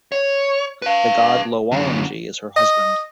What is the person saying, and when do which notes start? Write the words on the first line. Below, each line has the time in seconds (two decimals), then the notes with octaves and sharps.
The god Lowalangi is her husband.
0.12 C#5
0.82 B4 F5
1.72 F#2 D3
2.56 D#5